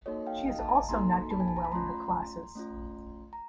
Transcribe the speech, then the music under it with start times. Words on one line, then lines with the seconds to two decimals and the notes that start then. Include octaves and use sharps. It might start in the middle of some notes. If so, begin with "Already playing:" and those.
She is also not doing well in her classes.
0.06 A#3 D#4 F#4 A4 C#5 D#5
0.27 F5 G5
0.47 D#5 F5
0.59 A5
0.69 G#5 A#5
0.89 A#3 D#4 F#4 A4 A#5 C6
1.30 A5 B5
1.40 G#5
1.48 A5
1.56 A#5
1.65 B5
1.72 A3 C#4 F4 A#5 C6
2.55 A3 C#4 F4
3.33 A#5